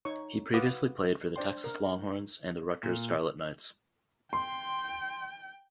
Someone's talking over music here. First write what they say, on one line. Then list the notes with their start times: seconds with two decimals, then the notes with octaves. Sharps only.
He previously played for the Texas Longhorns and the Rutgers Scarlet Knights.
0.05 D#4 C#5 C#6
0.53 F#4 B4 F5 F#5 D6 D#6
1.36 D4 C5 D5 G5 C6
1.64 A#4
2.83 A#2
4.33 G5 C6